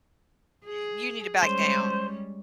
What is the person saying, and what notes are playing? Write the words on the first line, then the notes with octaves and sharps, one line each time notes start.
you need to back down
G#4
G3 G#3 C#4 C5